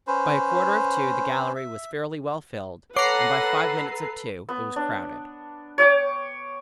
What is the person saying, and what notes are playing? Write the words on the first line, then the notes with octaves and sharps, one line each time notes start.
By a quarter of two the gallery was fairly well filled and by five minutes of two it was crowded.
C#4 B4 C5
E5
A4 B4 C#5 F#5 A#5 D6 C7
B3
D4
C#5 G5 D6